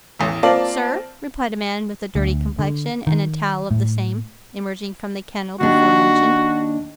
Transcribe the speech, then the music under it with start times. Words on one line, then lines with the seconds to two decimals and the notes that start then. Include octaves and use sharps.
'Sir?' replied a man with a dirty complexion, and a towel of the same, emerging from the kennel before mentioned.
0.19 A1 E2
0.43 A#3 C4 F4 D5 F5 A5
2.15 D2
2.59 D3
3.07 D#3
3.71 A2
5.61 D#2 D4 F#4